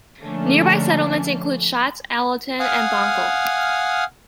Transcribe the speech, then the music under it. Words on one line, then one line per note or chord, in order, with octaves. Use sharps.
Nearby settlements include Shotts, Allanton and Bonkle.
D3 F3 A3 A#3 C#4 D4
F5 F#5 G#5 D#6 F6